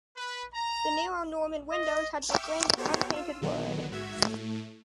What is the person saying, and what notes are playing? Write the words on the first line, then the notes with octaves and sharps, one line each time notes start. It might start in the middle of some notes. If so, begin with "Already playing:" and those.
The narrow Norman windows had been framed with unpainted wood.
B4
A#5
D#5
E5 G5 C#6 D6 E6 F6
B3 F#4 G4 A4 C5 C#5
F4 E6
A#2 D3 D#3 F#3 B3
G#2 F#4 E5 G#6
A2 A3